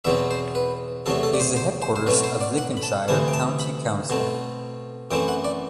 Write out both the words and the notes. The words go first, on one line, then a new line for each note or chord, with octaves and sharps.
It is the headquarters of Lincolnshire County Council.
E2 B2 F#3 C4 E5
C5
B4
E2 C3 F#3 A3 A4
A4
D5
C5
C5
C5
C5
B2 F#3 A3 C4 B4
C5
D5
F#5
B5
A5
D2 C3 E3 A5
G5
A5
B5
B2 A3 C4
F#2 E3 A3 C4 G5
F#5
D5